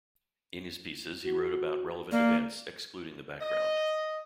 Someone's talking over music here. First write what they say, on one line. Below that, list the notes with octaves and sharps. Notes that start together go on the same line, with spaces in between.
In his pieces he wrote about relevant events, excluding the background.
F#4
A#3 D5
D#5